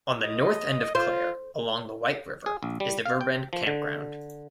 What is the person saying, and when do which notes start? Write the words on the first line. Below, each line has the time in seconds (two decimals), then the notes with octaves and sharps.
On the north end of Clare, along the White River, is The Riverbend Campground.
0.21 D#5
0.95 F4 C5
2.46 G#4
2.63 A#1
2.80 G3
3.06 F5
3.21 G5
3.53 F3
3.67 D3